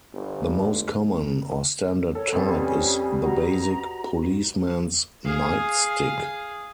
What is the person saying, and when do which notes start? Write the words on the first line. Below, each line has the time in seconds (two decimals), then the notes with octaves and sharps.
The most common, or standard type is the basic "policeman's nightstick".
0.14 G1
2.15 A4 C#5
2.32 F2 G3 B3 A4 C5
2.55 C#4
3.24 F#4 A#5
5.25 G#4 F5